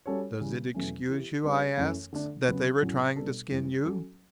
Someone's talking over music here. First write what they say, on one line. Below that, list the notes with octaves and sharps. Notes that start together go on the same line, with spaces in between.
Does it excuse you?' I asks, 'that they were trying to skin you?
G3 C#4 F#4 A4 C#5
C#3 E3 G3 C#4
E2 B2 F#3 A3 C#4
E3 B3 E4 G4
G3 B3 D4 G4 B4
F#2 E3 A3 C#4
D3 A3 D4
C#3 F#3 B3
A2 F#3 C#4
B2 G3 B3 D4 A4
F#2 E3 G3
F#3 C#4 F#4 A4